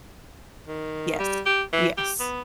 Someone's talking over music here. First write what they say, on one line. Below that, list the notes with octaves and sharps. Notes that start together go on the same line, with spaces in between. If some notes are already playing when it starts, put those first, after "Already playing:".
Yes. Yes.
D#3
G3
G4
E3
G4
B3